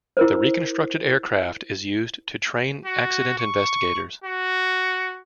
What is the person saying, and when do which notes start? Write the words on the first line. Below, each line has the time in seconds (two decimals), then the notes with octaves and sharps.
The reconstructed aircraft is used to train accident investigators.
0.17 E4 A#4 C5
2.85 F#4
3.39 C#6
4.24 F#4